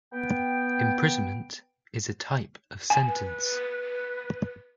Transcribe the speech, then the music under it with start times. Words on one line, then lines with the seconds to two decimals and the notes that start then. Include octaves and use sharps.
Imprisonment is a type of sentence.
0.13 B3 G5
2.90 G#5
3.07 B4